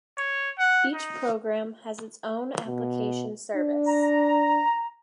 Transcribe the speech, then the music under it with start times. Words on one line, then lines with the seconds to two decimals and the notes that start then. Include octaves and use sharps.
Each program has its own application service.
0.18 C#5
0.59 F#5
0.94 D#4
2.67 B2
3.55 D4
3.87 A#5